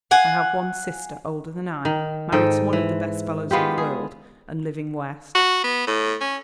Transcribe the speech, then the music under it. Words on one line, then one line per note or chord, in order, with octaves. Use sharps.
I have one sister, older than I, married to one of the best fellows in the world and living West.
F5 F#5 G#5
D#3
G#2 A4 D#5 G5
E3
G#3 B3 F4 G4
G#4
F#4
B3
A2
C#4